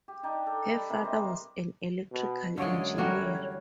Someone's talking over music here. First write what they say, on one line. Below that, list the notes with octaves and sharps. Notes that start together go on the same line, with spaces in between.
Her father was an electrical Engineer.
G4
D4 D#4 D5 G5
A4
G3
C3 E3 A#3
C5 D#5
B2
F#2 D3 G#3 C#5 F5 C#6 D7
E3 G3 A3 F#4 A#4